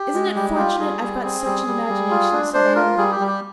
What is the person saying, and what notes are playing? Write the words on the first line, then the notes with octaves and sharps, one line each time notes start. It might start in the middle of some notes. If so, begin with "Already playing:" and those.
"Isn't it fortunate I've got such an imagination?" said Anne.
Already playing: G4
G#3
G3 G4
F4 G4
G3 G#4
G3
C4 G#4
G3
G3
G3
F4
D4
D4 C5
F4 A#4
G3 G#4
G4
G3
G4